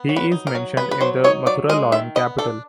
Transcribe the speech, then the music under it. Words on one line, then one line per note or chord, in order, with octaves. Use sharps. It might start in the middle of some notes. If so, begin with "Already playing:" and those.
He is mentioned in the Mathura lion capital.
Already playing: B3
F#3
B4
D#4
A#4
F#3
B3 B4
B4
F#3 C5
D#4 C#5
F#3 D5
G#3 D#5
D#3 E5
B3 D#5
D4 A4